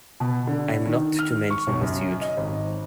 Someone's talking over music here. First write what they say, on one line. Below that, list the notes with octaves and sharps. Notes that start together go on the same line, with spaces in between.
I am not to mention the suit.
B2
D3
D#3
F6
C#6
B1
F#2
D#5
G#1